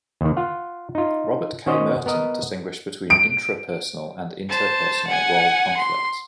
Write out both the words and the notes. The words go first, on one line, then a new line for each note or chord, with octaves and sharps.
Robert K. Merton distinguished between intrapersonal and interpersonal role conflicts.
D#2 D#3
F4 F5 F#5
D#4 F4
D#3 C#4 F#4 C5 D#5
B3 A#4 D#5
D7
C5 A5
F#5 G#5
C6